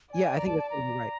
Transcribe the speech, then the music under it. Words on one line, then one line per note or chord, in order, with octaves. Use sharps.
Yeah, I think that's totally right.
D5 G#5
A#5
A5
A5
A#5